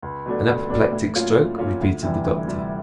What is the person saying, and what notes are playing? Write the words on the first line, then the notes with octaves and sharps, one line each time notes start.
"An apoplectic stroke?" repeated the doctor.
C#2
B2 F#3 A3 D4
C#2
B2 F#3 A3 D4
A2
F#3 A#3 C#4 F4
A2
F#3 A#3 C#4 F4
D2
C3 E3 G3
D2
C3 E3 G3